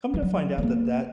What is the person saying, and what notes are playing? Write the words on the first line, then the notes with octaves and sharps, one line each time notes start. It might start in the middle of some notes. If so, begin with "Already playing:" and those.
Come to find out that that
E3
F#3
B3
A#3